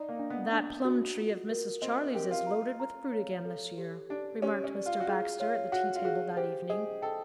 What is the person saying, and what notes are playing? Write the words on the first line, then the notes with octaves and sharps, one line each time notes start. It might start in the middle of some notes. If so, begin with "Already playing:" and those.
"That plum tree of Mrs. Charley's is loaded with fruit again this year," remarked Mr. Baxter at the tea table that evening.
Already playing: D#4 D5
A#3
D4
B3
D4
F#4
F4
A#4
C4 D#5
G4 A#4
F4
A#5
A#5
C#5
A4
G4
D4 G4
C#4 G4
C#4
D5
F4
F#4
F4 G#4
F4 C#5
F#4 F#5
F4
F#4 G#4
G4 C5
G#4 D#5
A4 G5